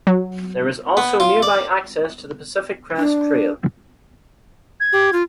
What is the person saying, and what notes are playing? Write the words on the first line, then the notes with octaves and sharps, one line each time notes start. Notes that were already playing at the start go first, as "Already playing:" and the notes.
There is also nearby access to the Pacific Crest Trail.
F#3
B3
F4
D5
D4
G#6
G4
F4